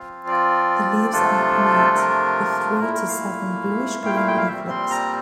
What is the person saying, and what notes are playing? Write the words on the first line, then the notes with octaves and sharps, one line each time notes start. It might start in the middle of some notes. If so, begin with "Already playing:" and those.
The leaves are pinnate, with three to seven bluish-green leaflets.
Already playing: F3 C4 F4 F5
D5
C3 F3 A3 D4 F4 A4
A#4
A#2 A3 E4 A#4
A#4
F5
G5
F5
G5
F5
A#2 G3 C4 E5
C6
A#5